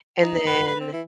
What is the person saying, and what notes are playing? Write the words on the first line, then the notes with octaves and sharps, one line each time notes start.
And then
D#4
B4
B4
C4
E3